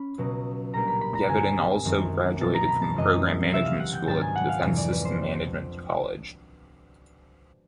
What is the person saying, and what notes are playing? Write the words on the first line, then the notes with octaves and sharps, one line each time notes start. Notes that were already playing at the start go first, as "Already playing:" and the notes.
Geveden also graduated from the Program Management School at the Defense Systems Management College.
Already playing: C#4 B5
C#2 B2 F#3
A#2 G3 A#3 D4 A#5
B5
B5
A#5
G2 D3 G3 C4 G#5
F#2 D#3 G#3 C4
B2 F#3 B3 A5
A#5
B5
A5
F#2 C#3 E3 G#3 C4 D#5
C3 E3 G3 C4 E5
F5
F#5
G5
G#2 D#3 F#3 B3 D4 A5
G#5
F#5
F5
F2 C3 E3 G#3
D5
B4
C5